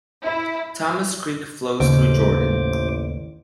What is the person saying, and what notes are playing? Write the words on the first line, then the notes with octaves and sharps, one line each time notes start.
Thomas Creek flows through Jordan.
E4
A1 D#2 C#3 C5 D6